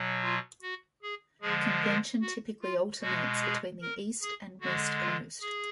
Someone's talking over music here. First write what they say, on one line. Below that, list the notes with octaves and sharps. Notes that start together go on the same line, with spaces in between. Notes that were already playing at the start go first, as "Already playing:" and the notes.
Convention typically alternates between the East and West coast.
Already playing: B2 F#3
F4
F#4
G#4
D3 F3 G#3 G#4
A#4
F#4
F4
B2 G#3 F#4
G#4
A#4
G#4
D3 G#3 F#4
F4
G#4